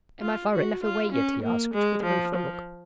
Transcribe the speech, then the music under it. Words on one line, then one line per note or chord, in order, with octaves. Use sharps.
"Am I far enough away yet?" he asked, with a rueful look.
F4
F#4
F4
C#4
A#3
G#3
F3
F3